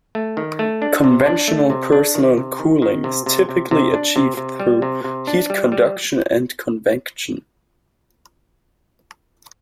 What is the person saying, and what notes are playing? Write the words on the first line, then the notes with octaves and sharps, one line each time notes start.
Conventional personal cooling is typically achieved through heat conduction and convection.
A3
D#3
A3
D4
C3
D4
A3
C3
D4
D#3
C3
D#3
D#3
C3
C3
C3
C3
D4
C3
C3
G3
C3
C3
D4
G3
G3